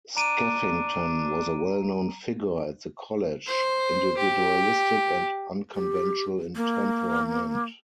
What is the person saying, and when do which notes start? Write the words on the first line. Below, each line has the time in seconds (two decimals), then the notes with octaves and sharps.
Skeffington was a well-known figure at the college, individualistic and unconventional in temperament.
0.17 D4 A#5 D7 D#7
3.47 C5
4.17 G4
5.75 G4
6.56 A#3